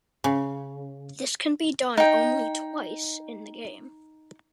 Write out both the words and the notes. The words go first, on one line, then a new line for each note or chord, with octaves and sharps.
This can be done only twice in the game.
C#3
D#4 G5